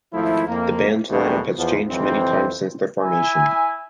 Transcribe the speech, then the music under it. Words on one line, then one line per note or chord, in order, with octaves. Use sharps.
The band's lineup has changed many times since their formation.
G#1 F3 A3 E4
F2 A#3
E2 B2 G3 A3 A#3 C4
E2 F3 B3
F2 E3 F#3 C4
E4 G#5